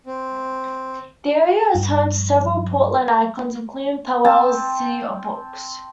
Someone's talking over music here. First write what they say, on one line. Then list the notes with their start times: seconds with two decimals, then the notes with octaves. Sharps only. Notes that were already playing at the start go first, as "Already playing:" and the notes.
The area is home to several Portland icons, including Powell's City of Books.
0.06 C4
1.75 G2
4.25 C4 A5